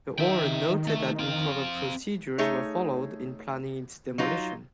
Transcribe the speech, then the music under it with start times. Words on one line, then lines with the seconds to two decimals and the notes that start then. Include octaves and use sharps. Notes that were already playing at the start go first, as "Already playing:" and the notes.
The order noted that improper procedures were followed in planning its demolition.
0.18 D#3 E5 G5
0.87 A3
1.19 C4 F5
2.38 A3 D#4 G#4 C#5
4.18 F#3 D#4 F4